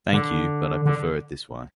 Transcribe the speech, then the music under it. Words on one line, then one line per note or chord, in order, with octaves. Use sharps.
Thank you, but i prefer it this way.
D3
D3